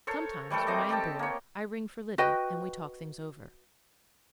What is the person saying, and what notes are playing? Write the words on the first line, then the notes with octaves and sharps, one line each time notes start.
Sometimes, when I am bored, I ring for Liddy, and we talk things over.
A4 A#4 C5 C#5
E3 G3 A3 A4
C4 D#5 A#5 D6
G4 A4 G5 A5
A#3 C#5
F#4 B4 D#5 G5